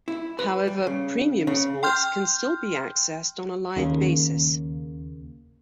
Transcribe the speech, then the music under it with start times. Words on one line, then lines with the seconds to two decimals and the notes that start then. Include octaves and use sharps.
However, premium sports can still be accessed on a live basis.
0.08 E4
0.39 B4
0.68 G3
0.87 C#3
1.47 C#3
1.83 G5 C6 F6 G6
3.76 D#2 C#3 A#3